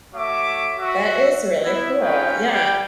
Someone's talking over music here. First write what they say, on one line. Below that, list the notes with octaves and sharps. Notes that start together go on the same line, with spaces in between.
That is really cool, yeah.
A3 F#4 C#5 E5 D6
F#4 E5
B3 E4
C#4 D#4 F4 B4 G5
G3 G5